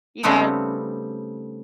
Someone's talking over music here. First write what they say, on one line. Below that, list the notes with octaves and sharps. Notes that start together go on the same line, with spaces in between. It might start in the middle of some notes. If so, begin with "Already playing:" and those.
You know?
C#3 G3 A3 B3 C4 D#4